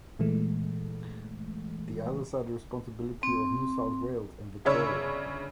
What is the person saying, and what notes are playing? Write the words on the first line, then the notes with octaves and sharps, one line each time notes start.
The others are the responsibility of New South Wales and Victoria.
A#2 E3 G#3 A3
C4
G1 C#3 D4 C#5 B5 E6